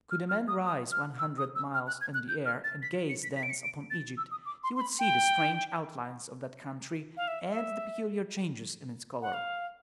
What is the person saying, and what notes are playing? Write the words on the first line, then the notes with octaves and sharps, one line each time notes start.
Could a man rise one hundred miles in the air and gaze thence upon Egypt, he would see the strange outlines of that country and the peculiar changes in its color.
F6
F6
D#6
D#6
F6
E6
D#6
E6
F6
F#6
G#6
F#6
G6
F6
A6
B6
C#7
B6
B6
D7
C#7
D7
A6
E6
D#6
D6
C6
C6
B5
G5
F5
E5
E5
F#5
F5